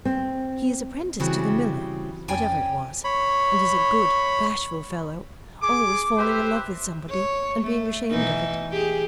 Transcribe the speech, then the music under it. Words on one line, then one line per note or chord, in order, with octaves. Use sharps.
He is apprenticed to the miller, whatever it was, and is a good bashful fellow, always falling in love with somebody and being ashamed of it.
C4
C#3 E3 G3 C4 F#4 G#4
F2 C#4 D5 G5 G#5
C#5 B5
G#4 D6
G4 B4 C5 E5
C#5
A3
B2 E3 D#4
G4 G#4